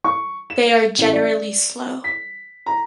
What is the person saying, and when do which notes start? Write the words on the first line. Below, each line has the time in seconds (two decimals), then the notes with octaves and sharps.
They are generally slow.
0.04 C#6
0.50 E7
0.98 A1
1.13 D5
2.04 B6
2.66 A#5